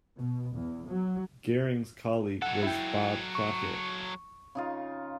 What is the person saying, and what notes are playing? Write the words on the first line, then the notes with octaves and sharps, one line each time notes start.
Garing's colleague was Bob Crockett.
B2
E2
F#3
F#3 A4 F#5
E4 G5
C#6
C#3 D#4 F4